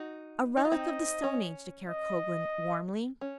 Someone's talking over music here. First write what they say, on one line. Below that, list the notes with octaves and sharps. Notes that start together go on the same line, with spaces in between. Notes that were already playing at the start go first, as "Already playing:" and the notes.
"A relic of the stone age," declared Coglan, warmly.
Already playing: D#4 F#4
D#4 D#5
F4
C4 D#4
C#4
D#5
C#4